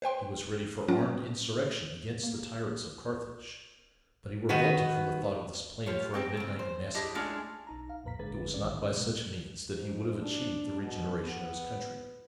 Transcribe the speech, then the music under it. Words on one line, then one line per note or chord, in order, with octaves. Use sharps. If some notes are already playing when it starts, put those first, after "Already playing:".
He was ready for armed insurrection against the tyrants of Carthage, but he revolted from the thought of this plan for a midnight massacre--it was not by such means that he would have achieved the regeneration of his country.
B4 C5 G5 C6
F#3 C#4 F4
A#3
D#3 F#4 B4
F4 G4 C#5
G#3 C4 G5
C#3 C4
C5
D4 E4 G4 G#4 D#5
G#3 A3 C#4 D4 F4 G#4
B1 D#4 A#5
F5
C2 F2 A#2 B4 A#5 B6
G#1 D3 G#3 G#4 B4 A6
A#1 D#3 E3 F#3 C#4 D5
D#2 B2 F#3 G#3
G#2
D4
B2
B3